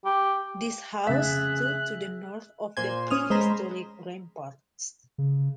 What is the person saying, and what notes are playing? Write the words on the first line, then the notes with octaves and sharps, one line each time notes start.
This house stood to the north of the prehistoric ramparts.
G4
F1 C#3 G#4 E5 F#6 A6
A#2 C5 G#5
C#4 D#6 F6
G#3 C5 A#5 B5
C#3